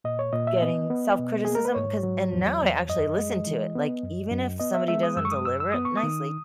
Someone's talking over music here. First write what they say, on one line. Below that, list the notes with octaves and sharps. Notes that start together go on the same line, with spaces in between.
getting self-criticism, 'cause and now I actually listen to it, like, even if somebody doesn't deliver it nicely
A#2 D#5
C#5
A#2 D#5
E5
B3 D#5
B3
B2
A#3 G#4
A#4
B4
G#2 C#5
F#3
E2
E2
F#2 D#5
G#3
E3
B3
F#2
F#2
B3 D#5
E5
G#3 E5
D#6
F#2 E6
C#6
D#6
F#2 E6
E6
B3 D#6
C#6
D#6
D#3